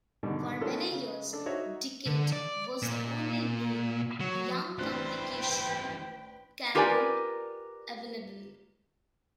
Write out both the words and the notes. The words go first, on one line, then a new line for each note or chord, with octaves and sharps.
For many years, "Decade" was the only Neil Young compilation album available.
G#2 B2 D3 D#3 G3
A3 B3 C#4 F4 A4 A#4
C#3
D4 A4
D#4 F#4 C5 C#5 D#5 E5
D3
D5
A#2
F#3
A1 E3 G3 D4 B4 C5 G5 F#6
F4 G4 A#4 B4 D5 G#5